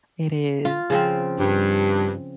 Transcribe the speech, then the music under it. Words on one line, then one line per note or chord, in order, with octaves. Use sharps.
It is,
F4
C#3 F3 C4
G2